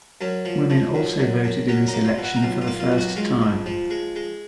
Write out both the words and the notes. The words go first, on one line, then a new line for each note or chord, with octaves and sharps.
Women also voted in this election for the first time.
F#2 C#4
F3
F3
F#2
F#2
F#2
F#3 C#4
D#4
A#3
F4
B2
F#4
D#4
B1 F4
F4
A#3
F4
B1
F#4
G#3 F4
F2
F3
G#3
G#3